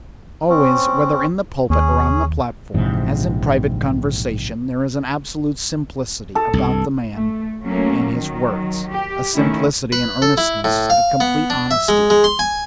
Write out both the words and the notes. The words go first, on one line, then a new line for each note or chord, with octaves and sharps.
Always, whether in the pulpit or on the platform, as in private conversation, there is an absolute simplicity about the man and his words; a simplicity, an earnestness, a complete honesty.
C4 C#4
D#2 C#4 G#4
A#1 G#2 C3 E3
A4
C2 G2
A3
F#3 A3 A#3 C#4
D#3 F#3
G4
D#3 A3 C#4 E4
B4
A4
E4
A2
F5
B3
D4
E5
G#3
G#3
C6
G#5